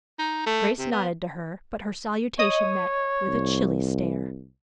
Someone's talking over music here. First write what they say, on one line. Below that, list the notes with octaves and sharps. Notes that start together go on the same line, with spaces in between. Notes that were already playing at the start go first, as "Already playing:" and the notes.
Grace nodded to her, but her salutation met with a chilly stare.
D#4
A3
C3
B3
C#5 D#5 D#6
C2